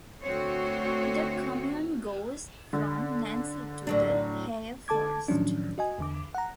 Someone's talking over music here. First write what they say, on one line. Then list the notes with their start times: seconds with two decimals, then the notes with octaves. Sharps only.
The commune goes from Nancy to the Haye forest.
0.23 D2 C4 F#4 C#5
2.73 D3
3.87 A2 F#3 D4
4.88 D3 A4 A5 D6 G#6
5.28 A2 D#3 F3 F#3 C#4 D4
5.78 F#4 D#5 G#5
5.98 E2 D3 D6
6.35 F#5 A#5